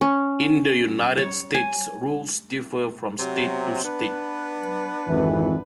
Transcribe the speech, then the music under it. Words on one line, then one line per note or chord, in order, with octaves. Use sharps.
In the United States rules differ from state to state.
C#4
C#5
G#5
C3 F#3
B3 D4 B4
G#1 F2 E3